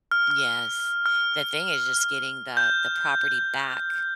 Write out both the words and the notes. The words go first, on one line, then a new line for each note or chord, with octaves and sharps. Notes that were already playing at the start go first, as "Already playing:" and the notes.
Yes. The thing is just getting the the property back,
F6
F6
F6
G6